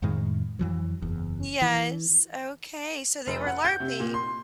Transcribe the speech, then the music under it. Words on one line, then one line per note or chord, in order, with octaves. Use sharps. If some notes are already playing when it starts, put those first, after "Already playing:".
Yes, okay, so they were LARPing.
F2 A2 D#3 G#3
F2 E3 F#3
F#1 E2
E3
F1
F#5
G6
C3
A#2
C6